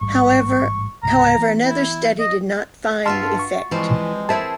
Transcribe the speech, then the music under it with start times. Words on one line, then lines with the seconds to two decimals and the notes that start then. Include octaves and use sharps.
However, another study did not find the effect.
0.01 A1 G#2 G3 C#6
1.03 C#2 G#2 C3 A#5
1.36 E3 B3
1.65 E4
2.20 D#5
3.05 G2 F4 F#4 E5 A5 C6 F6
3.39 C#6
3.71 E3 F3 G3 G#3 C4
4.29 C4 E4 G#4 A#4 C5 E5 A5